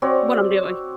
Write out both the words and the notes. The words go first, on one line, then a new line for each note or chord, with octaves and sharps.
what I'm doing.
C4 F#4 C#5 D5